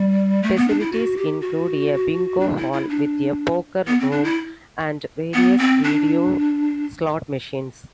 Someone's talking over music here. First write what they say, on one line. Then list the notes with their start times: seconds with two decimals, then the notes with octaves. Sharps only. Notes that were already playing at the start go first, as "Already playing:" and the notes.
Facilities include a Bingo Hall, with a Poker Room and various video slot machines.
Already playing: G3
0.43 A3
0.56 B3
0.68 D4
0.80 E4
0.93 F#4
1.17 G4
1.41 F#4
2.40 D4
2.57 E4
2.73 E4
2.89 D4
3.87 B3
3.99 C4
4.11 D4
4.24 E4
5.34 B3
5.58 C4
5.84 D4